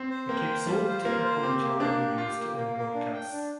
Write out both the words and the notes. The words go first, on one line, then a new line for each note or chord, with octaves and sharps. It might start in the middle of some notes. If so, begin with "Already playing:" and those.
It keeps all the technical material used in broadcasts.
Already playing: C4
C5
A#3 G5
C5
G3 F4
C5
A#3 F4
C5
C4 G4
A#3
A#3 D4
G4
F4 G4
A#3
A#3
A#3
D4
G5
D4